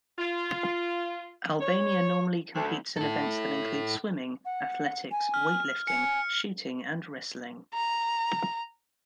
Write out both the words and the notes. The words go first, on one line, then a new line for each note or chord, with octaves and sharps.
Albania normally competes in events that include swimming, athletics, weightlifting, shooting and wrestling.
F4
C#5
D2
E4 A4
F#5
G#5
F6
G#5 C#7
A#5